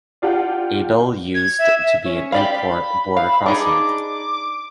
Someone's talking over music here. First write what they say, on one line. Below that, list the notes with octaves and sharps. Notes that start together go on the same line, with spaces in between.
Abele used to be an import border crossing.
D4 F4 G4 F#5 G5
G#6
E5
E5
C#4
G4 D5 F5 B5
F5
D4 D#4 G#4 D6